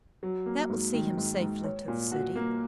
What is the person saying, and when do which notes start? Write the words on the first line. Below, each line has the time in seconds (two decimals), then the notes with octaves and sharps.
That will see him safely to the City.
0.23 F#3
0.46 A#3
0.69 G#2
0.93 D#3
1.17 G#2
1.41 G#2
1.64 C#5
1.88 A#2
2.12 F#4
2.36 A#3